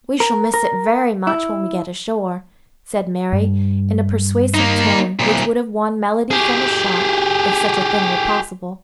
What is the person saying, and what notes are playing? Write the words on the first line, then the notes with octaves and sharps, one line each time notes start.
We shall miss it very much when we get ashore,' said Mary, in a persuasive tone which would have won melody from a shark, if such a thing were possible.
A#4
A#4
E4
G2
A#3 D#4
C2 A#2
G4 G#4